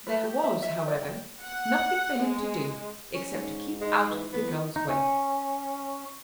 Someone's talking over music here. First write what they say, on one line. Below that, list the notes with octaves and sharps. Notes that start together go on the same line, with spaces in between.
There was, however, nothing for him to do except to keep out of the girl's way.
B4
G4
E5
E5
G4
D5
G5
F#5
G#3
C#4
G#2
G#3
E3
E2 B3
D#4
C#4